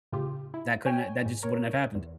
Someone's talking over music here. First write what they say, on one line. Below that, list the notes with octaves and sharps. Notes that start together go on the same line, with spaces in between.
that couldn't, uh that just wouldn't have happened,
A2 C#3 F4 G4
E4
C#5 G5 G#5
G#2
A#4 C#5
E2